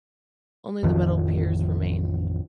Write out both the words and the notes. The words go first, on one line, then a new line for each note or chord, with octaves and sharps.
Only the metal piers remain.
A1 F2 D#3 F3